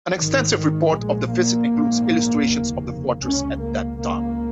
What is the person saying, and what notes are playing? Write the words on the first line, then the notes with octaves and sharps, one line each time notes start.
An extensive report of the visit includes illustrations of the fortress at that time.
G#1 G#2 D#3
D#3
A#1 A#2 G#3
A#3
A#1 G#2
F1 D#2 C#3
C#2 C#3 C#4
A#3
C#2 C#3 A#3